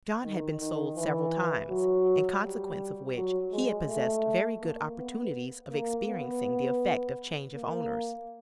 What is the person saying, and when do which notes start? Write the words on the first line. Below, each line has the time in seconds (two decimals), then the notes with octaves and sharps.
John had been sold several times, in consequence of which, he had possessed very good opportunities of experiencing the effect of change of owners.
0.24 D#3
0.59 D#3
0.97 E3
1.70 F#3
2.42 G3
3.16 F#3
3.52 G#3
3.88 A3
4.61 A#3
4.97 B3
5.70 A#3
6.07 B3
7.53 A#3